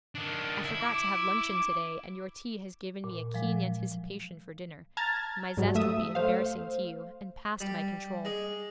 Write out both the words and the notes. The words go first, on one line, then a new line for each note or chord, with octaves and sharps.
I forgot to have luncheon to-day, and your tea has given me a keen anticipation for dinner; my zest would be embarrassing to you, and past my control.
D#3 D4
E4
D6
A#2
F3 F#3 G#3
A5 A#5 F6 G#6 A6
G#2 F#3 G3
A3 E5 D#6 E6
A3 C5 F5
G3
G#3